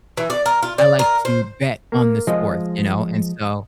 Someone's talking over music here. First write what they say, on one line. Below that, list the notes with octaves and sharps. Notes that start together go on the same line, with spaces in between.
I like to bet on the sports, you know? And so,
E3
D5
A#4
F4
D5
A#4
C5
A#3
F3 G#3 D#5